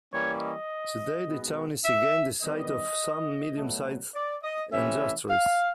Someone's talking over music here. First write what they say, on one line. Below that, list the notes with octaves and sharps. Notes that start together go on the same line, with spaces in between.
Today the town is again the site of some medium-sized industries.
E3 G3 A#3 C#4 C#5
D#5
B2 G#3 B3
E5
D#3 G3 B3 D#5
B2 F#3 A3
D5
D#5
C3 E3 A3 C#4 E5
F5